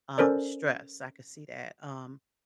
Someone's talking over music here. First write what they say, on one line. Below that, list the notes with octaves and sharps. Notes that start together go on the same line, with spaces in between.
um, stress. I could see that. Um,
C#4 A4 A#4 C5 D5